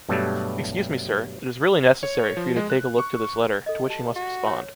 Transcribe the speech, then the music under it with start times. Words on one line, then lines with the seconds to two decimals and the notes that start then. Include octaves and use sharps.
Excuse me Sir, it is really necessary for you to take a look to this letter, to which you must respond.
0.09 G2 B2 F#3 G3 A3
2.03 C#5
2.37 F3
2.56 G#3
2.70 F#6
2.98 C#6
3.66 A4 D#5
3.90 G4 A5
4.16 F#4
4.45 C#5 C6